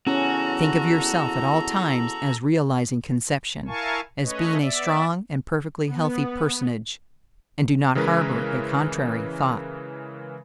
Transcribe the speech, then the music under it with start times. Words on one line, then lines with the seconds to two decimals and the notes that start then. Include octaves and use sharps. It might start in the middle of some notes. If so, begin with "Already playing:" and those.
Think of yourself at all times as realizing conception; as being a strong and perfectly healthy personage; and do not harbor a contrary thought.
0.07 E2 C#4 F#4 A4 A#5
3.67 E4 A#4 F5 G#5 A5 C#6
4.22 A3 C#4 B4 C#5 D#5
4.60 B3 D5 E5
5.89 B3
7.95 C#3 E3 G#3 A#4 B4